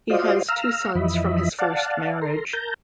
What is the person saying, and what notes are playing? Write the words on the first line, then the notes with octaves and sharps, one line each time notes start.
He has two sons from his first marriage.
F4 F#4 C5 D5 D#5 F5
F5 A#5 E6 F6
F2 E3 F3 D#5 E5 B5
D5 F5 F#5 A5
A4 A#4 A#5 C6
A#4 A5 A#5 G6